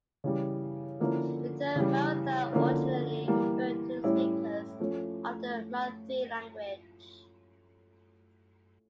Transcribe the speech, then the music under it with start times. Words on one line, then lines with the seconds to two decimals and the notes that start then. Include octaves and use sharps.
The term "Maratha" originally referred to the speakers of the Marathi language.
0.24 C#3 E3 G3
1.00 D3 F3 A#3 C#4 E4
1.76 C#3 E3 G3
2.52 D3 F3 A#3 C#4 E4
3.28 E3 G3 A#3
4.04 A2 G3 C#4 E4
4.80 F3 A3 C#4